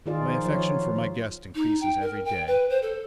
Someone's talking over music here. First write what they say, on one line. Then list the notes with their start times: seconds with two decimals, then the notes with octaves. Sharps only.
My affection for my guest increases every day.
0.06 D#3 D#4 F4 G#4 D5
0.24 F3 C5
0.46 F3 F#3 F4 C#5
1.55 D#4
1.81 G5
2.02 A#4
2.25 G5
2.47 B4
2.69 C5
2.82 A4